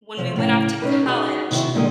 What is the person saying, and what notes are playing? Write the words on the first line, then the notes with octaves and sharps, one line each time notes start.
when we went off to college,
C3 F3 F#3
A2 C#3 F5 A5
C#4 D#4 B4
D#4 F#4 G#4
C3 D#3 E4 F#4
A#2 D3 G3 G#3 A4 D#5